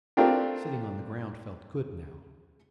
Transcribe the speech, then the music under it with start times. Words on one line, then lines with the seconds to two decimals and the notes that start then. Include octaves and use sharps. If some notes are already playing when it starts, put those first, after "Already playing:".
Sitting on the ground felt good now.
0.17 A3 C4 D4 F4 G4 A#4